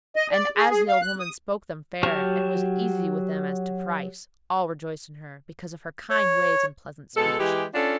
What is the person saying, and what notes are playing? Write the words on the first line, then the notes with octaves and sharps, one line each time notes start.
And as the old woman spoke them fair and was easy with them as to price, all rejoiced in her, because of her kind ways and pleasant speech.
D#5
D5
G#4
G#4
F5
F#6
D#6
F#3 G4 A5 C#6 F6
C#5
B2 G#3 A4
E3 G#3 G4
C#4 D4 F4 A4